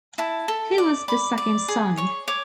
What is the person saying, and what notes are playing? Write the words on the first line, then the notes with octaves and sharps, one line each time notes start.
He was the second son.
E4 A5
A4
D5
D5 B5
D5
G#4
C#5 C#6
C#5 D6